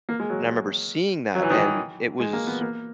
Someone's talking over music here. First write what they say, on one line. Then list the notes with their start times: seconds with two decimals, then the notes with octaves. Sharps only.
And I remember seeing that, and it was,
0.09 A#3
0.20 G#3
0.30 F#3
1.35 F#3
1.43 E3
1.50 D#3
1.58 E3
2.20 G#3
2.33 A#3
2.47 B3
2.61 A#3